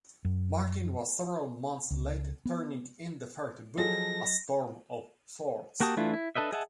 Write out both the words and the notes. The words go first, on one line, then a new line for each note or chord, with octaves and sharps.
Martin was several months late turning in the third book, "A Storm of Swords".
F#2
C#2
B3
F3 F#3 G#4 A4 D#5 A#6
A#3 F#4 G4 A5 D#6
E3 A3 D4 E4 F4
E4
D4 A4 B4 D#5 E5
G#4 D#5 E5 F#5 A5